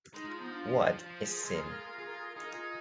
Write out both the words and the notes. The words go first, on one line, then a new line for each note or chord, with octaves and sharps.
What is sin?
G#3 D#4
F4
F3 B3 D#4
D4 F4
F3
F3
F3
F3 G#4
A#4
G#3 G#4
A#4
F4 G#4
A#4
G#4
A#4
F4 G#4
A#4
G#4
A#4
D#4 G#4
A#4
F4 G#4